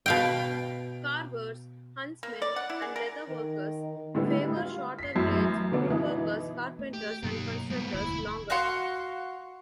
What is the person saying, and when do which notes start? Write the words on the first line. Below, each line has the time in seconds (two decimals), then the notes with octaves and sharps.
Carvers, huntsmen and leatherworkers favour shorter blades; woodworkers, carpenters and constructors longer.
0.06 B2 F5 G5
2.23 A#3
2.42 D5
2.56 F#5
2.70 E4
2.82 G#4
2.96 A#4
3.29 D#3
4.15 A2 D3 G3 G#3 B3
4.56 F4
4.99 B6 C7
5.15 A1 F#2 F#3
5.72 B2 D3 B3 D4
5.89 B2 E3 D#4 E4
6.79 A3
6.94 G4
7.23 G2 B2 F#3 A#3 D#4
7.70 G#2 F#3 G3 A#3 B3
7.94 E1 D2 E4 B5
8.50 F#4 F5 C6 C#6